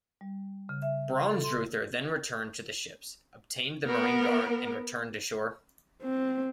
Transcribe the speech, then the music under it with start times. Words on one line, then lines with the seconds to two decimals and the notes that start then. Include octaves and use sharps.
Braunsreuther then returned to the ships, obtained the marine guard, and returned to shore.
0.21 G3
0.69 C#3
0.82 E5
1.31 A4
1.44 C6
3.86 B3 A#4
6.03 C4